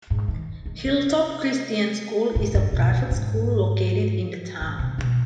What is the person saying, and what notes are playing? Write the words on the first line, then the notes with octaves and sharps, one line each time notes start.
Hilltop Christian School is a private school located in the town.
G#2
D#3
D#3
C3
G#2
G2
B2
C3
G#2
G#2
C3
B2